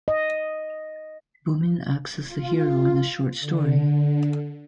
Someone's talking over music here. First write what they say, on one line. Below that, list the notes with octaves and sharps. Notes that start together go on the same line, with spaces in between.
Bumin acts as the hero in this short story.
D#5
F4
D3